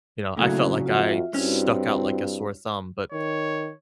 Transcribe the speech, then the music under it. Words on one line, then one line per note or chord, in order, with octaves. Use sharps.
you know, I felt like I stuck out like a sore thumb, but
A#2 C#3 F#3 A3 C#4 D4 E4
F2 F4 F#4 E5
G2 C4 C#4 E4 F#4
D#3 C#5